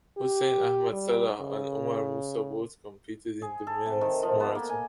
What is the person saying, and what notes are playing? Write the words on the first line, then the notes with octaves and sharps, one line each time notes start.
Hussein Ahmed Salah and Omar Moussa both competed in the men's marathon.
G4
G3
C#3
G#4
A4
C3
D#3
F3
B3
A#3
G#5